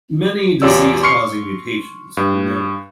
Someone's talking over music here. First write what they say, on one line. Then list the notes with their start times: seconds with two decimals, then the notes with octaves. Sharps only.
Many disease-causing mutations have been noted.
0.62 E2 F4 G4 C#5 D5 E6
1.03 C6 C#6 F6 C7 C#7
2.17 G2